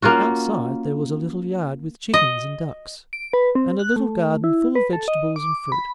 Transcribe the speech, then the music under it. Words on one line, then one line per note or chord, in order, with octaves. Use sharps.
Outside there was a little yard with chickens and ducks, and a little garden full of vegetables and fruit.
A#3 C#4 F4 F#4
D#5
D7
B4
C4
F#6
A3
E4
B4
A4
D#5
D6
B5